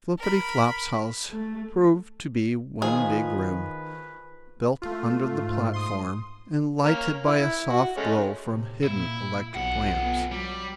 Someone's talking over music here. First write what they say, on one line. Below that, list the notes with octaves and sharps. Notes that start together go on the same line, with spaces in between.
Flippityflop's house proved to be one big room, built under the platform, and lighted by a soft glow from hidden electric lamps.
A#4 B5
A3
D#3 F3 G#4 B4
A3 F4
G#2
C6 D#6
A#3 C#4 A#4
E4
F#4
G#3 A3 C#4
A2 C3
A#2 E4
B1 F2 F#5
B3
F#3 G3